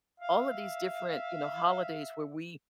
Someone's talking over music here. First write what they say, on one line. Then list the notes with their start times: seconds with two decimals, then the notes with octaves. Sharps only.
all of these different, you know, holidays where we
0.20 E5 F5